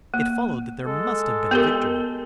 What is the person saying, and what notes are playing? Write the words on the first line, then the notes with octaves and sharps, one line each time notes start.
It followed that there must have been a victory.
A#3
G#3 A4
B3 G4 A#4